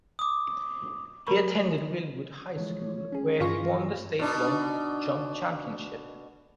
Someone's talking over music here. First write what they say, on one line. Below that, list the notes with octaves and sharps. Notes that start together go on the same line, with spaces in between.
He attended Wildwood High School, where he won the state long jump championship.
D6 D#6
F#3 A#4 A#5 B5 C#6
E3 F3 G#3 C#5
C#4 G#4
G2 E3 F4 G#5 C#6 A#6
B2 D4 D#4